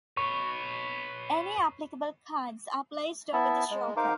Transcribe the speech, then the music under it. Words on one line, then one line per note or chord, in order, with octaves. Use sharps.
Any applicable cards are placed over the Joker.
B4 C#5 C#6
B3 E4 E5 A5
G#3
D#4 A#4 C5 F5 D6